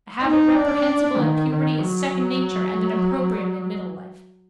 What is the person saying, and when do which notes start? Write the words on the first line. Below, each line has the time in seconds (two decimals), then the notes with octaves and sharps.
A habit reprehensible at puberty is second nature and an opprobrium in middle life.
0.22 D#4
0.54 D4
1.17 D#3
1.49 D#3
1.81 F#3